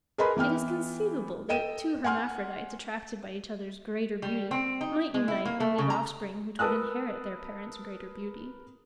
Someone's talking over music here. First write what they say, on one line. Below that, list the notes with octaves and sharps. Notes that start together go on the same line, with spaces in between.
It is conceivable that two hermaphrodites, attracted by each other's greater beauty, might unite and leave offspring which would inherit their parents' greater beauty.
G#4 A#4 B4 D#5 B5 C6
E3 B3 G5 F6
A4 D#5 G5 D#7 E7
F#5 G#5 C6 F6
G3
C4
D#4
G#3
E4
A#3
A3
C#3
A#5
A#4 B4 A5 D#6 E6 F#6